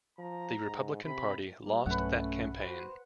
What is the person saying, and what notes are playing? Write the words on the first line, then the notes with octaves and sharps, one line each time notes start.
The Republican Party lost that campaign.
F3 A#5
G#2
C3 B5
G3 A#3
B1 G2 F#3 A3 C#4 B4 F#5
F#4 C5